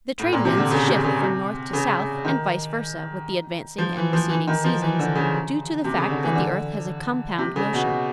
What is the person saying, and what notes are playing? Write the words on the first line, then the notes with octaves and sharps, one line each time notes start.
The trade winds shift from north to south and vice versa with the advancing and receding seasons, due to the fact that the earth has a compound motion.
A2
A#2
C3
D3
C#3
C3
C#3
C3
C#3
D#3
F3
E3
F3
E3
D#3
F3
E3
D3
C#3
C3
C#3
D3
E3
D3
C3
C#3
B2